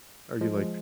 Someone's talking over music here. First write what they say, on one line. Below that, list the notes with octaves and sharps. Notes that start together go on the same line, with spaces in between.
Are you like
F3 G#3